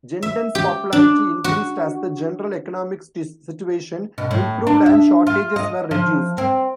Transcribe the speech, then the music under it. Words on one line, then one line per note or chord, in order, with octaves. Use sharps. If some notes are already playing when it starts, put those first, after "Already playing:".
Genden's popularity increased as the general economic situation improved and shortages were reduced.
E5
G4
D4
F#4
B2
A2
D4
E5
F4
D#5
F3
C4